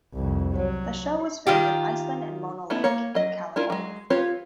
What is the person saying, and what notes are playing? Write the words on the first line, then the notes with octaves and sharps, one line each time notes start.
The show was filmed in Iceland and Mono Lake in California.
C2 F2
F#3
D#3 F4 G4
A3 B3 D#4 E4
A#3 C#5
F#3 D#5
D4 E4 F4 A#4
F#3 G#3
C4 F4 G4 B4 C#5